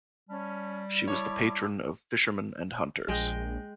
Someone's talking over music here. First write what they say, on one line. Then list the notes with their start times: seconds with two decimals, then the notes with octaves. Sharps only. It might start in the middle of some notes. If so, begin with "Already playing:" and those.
She was the patron of fisherman and hunters.
0.29 G3 C#4 A5
1.08 E4 C#5 A5 D6
3.08 A#1 G#3 D#5 G5